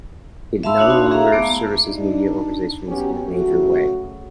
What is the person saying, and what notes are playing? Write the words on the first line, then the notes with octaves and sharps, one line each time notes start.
It no longer services media organizations in a major way.
E5 F5 A5 B5 C6 E6
D4 D#4 F#4 C#5
F#4
G#4 E5 F5 A#5
A3 B3 D6
D4 D#4
F#3 B3 C#4 G4
C#3 F#3 A3 F#4